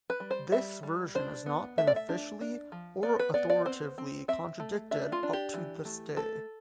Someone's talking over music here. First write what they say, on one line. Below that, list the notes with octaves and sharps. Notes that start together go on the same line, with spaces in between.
This version has not been officially or authoritatively contradicted up to this day.
B4
G3
C5
G3 E5
G3
D4 C5
B3
A3 E5
D5
E5
D4
D4
F3
B3 D5
B4
B3 D5
D5
C4 C5
C4
C4 E5
A3
D4 E5
F4
D4
G4
E3
A3
A3 A4